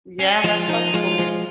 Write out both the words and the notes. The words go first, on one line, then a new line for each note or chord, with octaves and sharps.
Yeah, that sounds cool.
C#4
F3 G#3 F4
F3 D#4
F3 G#3 F4
F3 G#3